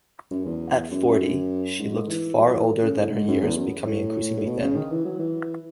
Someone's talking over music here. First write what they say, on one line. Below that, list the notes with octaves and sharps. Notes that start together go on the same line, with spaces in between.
At forty, she looked far older than her years, becoming increasingly thin.
F#2
E2
F#2
F#2
G#2
G#2
E3
F#3
E3
C#3
A2
G#2
F#2
E2
F#2
A2
A2
B2
C#3
D#3
E3
F#3
E3